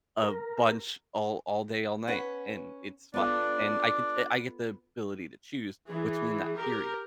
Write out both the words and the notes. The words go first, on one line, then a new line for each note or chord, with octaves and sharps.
a bunch all all day, all night, and it's fun, and I could d I get the ability to choose between that period.
A#4
C#4 B4 F#5
B3 D4 F4 A4 D5
E3 G#4
G4 A#4